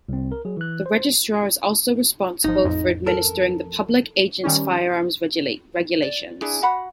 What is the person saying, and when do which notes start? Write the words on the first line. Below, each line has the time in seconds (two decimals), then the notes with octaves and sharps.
The Registrar is also responsible for administering the "Public Agents Firearms Regulations".
0.09 C2 C4
0.32 A#4
0.45 F#3 G#4
0.57 E3 F#6
0.86 C5
2.44 G#1 F3 D#4
2.64 A1 F2
3.06 A4 A#4
4.43 D#3 G3 C#4
6.02 D5
6.41 D4 E4 G#4 G#5
6.62 F#4 F#5 B5